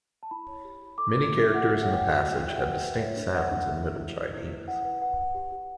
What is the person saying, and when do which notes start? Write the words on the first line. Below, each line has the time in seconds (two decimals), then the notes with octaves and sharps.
Many characters in the passage had distinct sounds in Middle Chinese.
0.23 A5
0.31 E4 B5
0.48 C#5
0.64 G4
0.82 G4
0.98 A4 D6
1.15 A4
1.32 E4 D6
1.43 E5
1.49 E4
1.54 F#5
1.66 F#4
1.74 E5
1.83 C#5 F#5
1.91 G5
1.99 C#5 F#5
2.16 F#4
2.32 F#4 G5
2.44 G5
2.49 D5 E5
2.55 F#5
2.66 B4
2.83 B4
3.00 C#5 E5
3.16 D4
3.34 A4 F#5
3.50 D4
3.60 F#5
3.67 E4 E5
3.84 E4
4.01 E4
4.17 D5
4.34 E4
4.51 B4
4.68 E4 F#5
4.85 B4
5.02 B4 F#5
5.18 B4
5.35 G4
5.52 G4